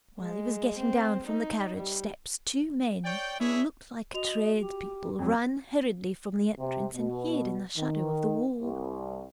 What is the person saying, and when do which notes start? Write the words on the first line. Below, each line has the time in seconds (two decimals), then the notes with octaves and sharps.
While he was getting down from the carriage steps two men, who looked like tradespeople, ran hurriedly from the entrance and hid in the shadow of the wall.
0.21 G#3
0.79 C4
1.27 D#4
1.77 G3
3.05 C#5 D5 G5
3.39 D4 E4 G#4 C#5 E5
4.14 F#4 D#5 F7
4.61 G4
5.19 F2 F#3
6.59 C3
6.94 B2
7.77 D#3
8.61 C2